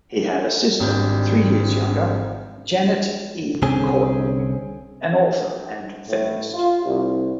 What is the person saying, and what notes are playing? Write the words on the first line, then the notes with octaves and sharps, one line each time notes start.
He had a sister three years younger, Janet E. Courtney, an author and feminist.
G#1 G#2 G3 D4 G6
C2 D3 C4 C#4 G#4
A2
F4
C2